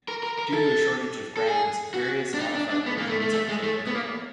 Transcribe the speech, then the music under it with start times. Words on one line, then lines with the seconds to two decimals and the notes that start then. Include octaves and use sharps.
Due to a shortage of grounds, various modified versions are played everywhere.
0.08 A#4
0.23 A#4
0.39 A#4
0.54 A4
1.37 A4
1.47 G#4
1.94 F#4
2.34 D4
2.40 D#4
2.55 D4
2.71 D4
2.86 B3
2.98 A#3
3.09 A3
3.22 A3
3.33 A3
3.49 G#3
3.64 A3
3.87 B3
3.95 A#3